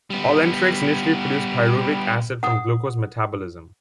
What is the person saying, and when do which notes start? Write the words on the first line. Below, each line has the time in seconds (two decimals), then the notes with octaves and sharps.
All enterics initially produce pyruvic acid from glucose metabolism.
0.10 G3 B3
2.43 F#5 D#6